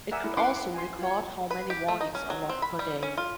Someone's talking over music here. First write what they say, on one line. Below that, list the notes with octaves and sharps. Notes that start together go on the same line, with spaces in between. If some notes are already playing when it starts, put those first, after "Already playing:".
It could also record how many warnings are logged per day.
A#4 D5 E5 F#5 G#5 E6
E4
C#4 E4 B4 F#5 C6 D6
D6
G#5 C6
F4 C#5
B4
G4
A3
D#4
C#4
F#3
C4
B5
G3
C#4
F4